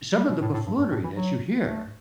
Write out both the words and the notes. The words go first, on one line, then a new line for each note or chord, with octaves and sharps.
some of the buffoonery that you hear
G3
B2
A2
A2
G2
G2
A2
E3
F#3
A3